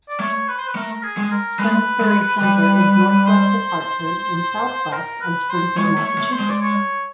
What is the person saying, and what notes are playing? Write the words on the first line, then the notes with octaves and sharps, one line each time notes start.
Simsbury Center is northwest of Hartford and southwest of Springfield, Massachusetts.
D5
A3 C#5
B4
C5
B4
A3 A#4
G#4
G#3
A#4
G#3 B4
G#3
G3
C5
A#4
B4
C5
G#3 C#5
A3
C#5
A3
C5
G#3
D5
C#5